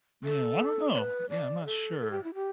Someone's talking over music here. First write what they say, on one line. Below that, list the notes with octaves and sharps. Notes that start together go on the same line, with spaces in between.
Yeah, I don't know, yeah, I'm not sure,
A4
D5
B4
D5
A4
A4
G4
E4
G4